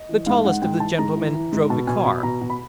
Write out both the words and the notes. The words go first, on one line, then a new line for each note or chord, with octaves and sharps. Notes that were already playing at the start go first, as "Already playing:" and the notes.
The tallest of the gentlemen drove the car.
Already playing: D#5
E3
G#2 F5
G#2 F#5
G#2 G5
E3 A5
G#2 A#5
E3
E3
G#2
B2 A5
B2 G#5
B2 B5
B2 A#5
B2
B5